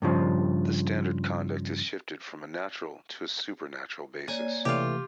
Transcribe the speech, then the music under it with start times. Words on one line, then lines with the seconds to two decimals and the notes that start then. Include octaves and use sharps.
The standard conduct is shifted from a natural to a supernatural basis.
0.02 G2 C#3 F3
4.28 A#3 C#5 D5 G#5
4.65 C3 E3 A3 F4 G4